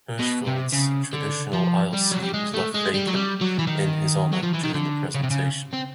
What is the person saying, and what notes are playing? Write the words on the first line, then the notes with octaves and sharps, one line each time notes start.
Hirschfeld's traditional aisle seat was left vacant in his honor during the presentation.
B2
C3
C#3
D3
F3
G3
F#3
G3
G#3
A3
G#3
G3
F#3
G3
F#3
E3
D#3
F#3
F3
E3
D#3
D3
C#3
C3
C#3
C4